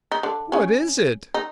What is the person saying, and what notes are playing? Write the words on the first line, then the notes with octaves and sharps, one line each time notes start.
"What is it?"
D#4
D3 D4
C#3 C#4
D#4